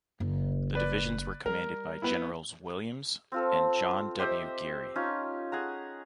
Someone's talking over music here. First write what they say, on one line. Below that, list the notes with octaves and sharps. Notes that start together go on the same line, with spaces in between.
The divisions were commanded by Generals Williams and John W. Geary.
F#1
B4 D5
G3 A#4
B3 E4
C4 F4 A4
G4 C5 D#5 E5
C#4 D#4 F4
G#4 F#5 A#5